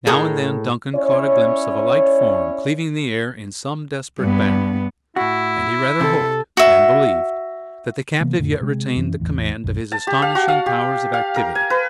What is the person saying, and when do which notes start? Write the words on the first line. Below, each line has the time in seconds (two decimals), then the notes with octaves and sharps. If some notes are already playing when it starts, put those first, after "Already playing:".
Now and then Duncan caught a glimpse of a light form cleaving the air in some desperate bound, and he rather hoped than believed that the captive yet retained the command of his astonishing powers of activity.
0.07 A2 G#4 A#4 D#5
0.96 C#4 E4 C#5 D5
4.20 G2 B3
5.16 A2 E4 F#4
6.01 C3 A4
6.57 F#4 E5
8.20 C3 E3 A#3 B3
8.39 F2 A2 D3 F3
8.61 C3 G#3
8.96 F#2 E3 C#4
9.20 A1 E2
9.64 B1 F#2
9.92 A5
10.07 G4
10.22 F5
10.35 F#4
10.48 F5
10.66 G4
11.14 F5
11.36 A#4
11.55 G#5
11.70 B4